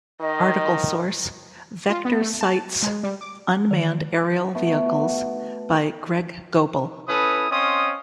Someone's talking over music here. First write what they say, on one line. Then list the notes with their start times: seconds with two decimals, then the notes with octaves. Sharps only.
Article source: Vectorsite's "Unmanned Aerial Vehicles" by Greg Goebel.
0.21 D#3 D#5
1.90 F4
2.05 B3
2.21 A3
2.41 A5
2.83 G#3
3.03 G3
3.21 D6
3.71 D#3
4.55 A3 B3 F#4
7.09 C#4 E4 A4 B4 D#6
7.51 C4 C#4 D#5 F5 C6 D#6